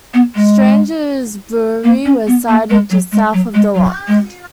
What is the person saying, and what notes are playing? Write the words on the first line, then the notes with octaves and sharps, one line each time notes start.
Strange's Brewery was sited just south of the lock.
B3
G#3
A#3
C#4
B3
A#3
G#3
F#3
G#3
F#3
G#3
F#3
G#3